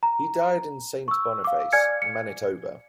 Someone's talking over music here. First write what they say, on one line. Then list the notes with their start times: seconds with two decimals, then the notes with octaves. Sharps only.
He died in Saint Boniface, Manitoba.
0.03 A#5
1.08 C#6 E6
1.44 F5 D6
1.72 D5 G#5 F6 G#6 C#7
2.02 C#7